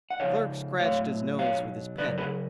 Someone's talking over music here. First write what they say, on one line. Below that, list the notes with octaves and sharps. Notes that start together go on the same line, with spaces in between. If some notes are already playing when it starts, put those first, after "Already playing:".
The Clerk scratched his nose with his pen.
F#5
C#3 F3 C#5 F5
A2 F#3 C#5 F5
B2 F#3 C#5 F5
C#3 F#3 B4 D5
G#4 B4